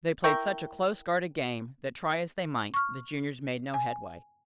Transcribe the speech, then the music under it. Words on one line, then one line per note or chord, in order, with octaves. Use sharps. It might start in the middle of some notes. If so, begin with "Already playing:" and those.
They played such a close guarding game that, try as they might, the juniors made no headway.
E4 A#4 G5 C#6
C#6 F6
G#5